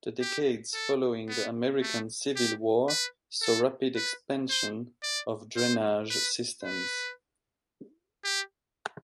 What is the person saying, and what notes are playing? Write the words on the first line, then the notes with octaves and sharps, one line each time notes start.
The decades following the American Civil War saw rapid expansion of drainage systems.
G4
A4
B3
A3
G4
B4
A4
B4
C5
D5
C5
B4
B4
G4